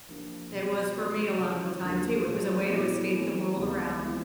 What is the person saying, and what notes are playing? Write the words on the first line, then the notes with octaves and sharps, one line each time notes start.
It was for me a lotta the time too, it was a way to escape the world around.
F3 A#3 D4 G4
B2 G3 C4
F3 A#3 C#4 F#4 A4
C#3 E3 G#3
D#2 D3 F3 A#3 D4
A#2 F3 A3 C#4
F#3 B3 E4 G#4
E3 A3 C4
C#2 C3 D#3 G#3 B3
E3 G#3 C4 F4